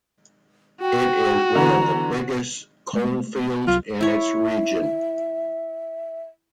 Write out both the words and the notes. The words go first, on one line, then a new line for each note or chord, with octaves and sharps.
It is one of the biggest coal-fields in its region.
F#4 G5
D3 E3 A#5
G#3 A3
C2 F#3 F4
E4 C#5 E5